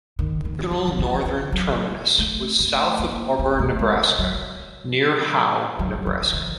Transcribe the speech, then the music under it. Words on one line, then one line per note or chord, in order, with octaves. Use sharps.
The original northern terminus was south of Auburn, Nebraska, near Howe, Nebraska.
D#3
D#3
E3
E3
F3
F3
F#3
A3
A3
A#3
B3
A3
G#3
F#3
F#3
F3
E3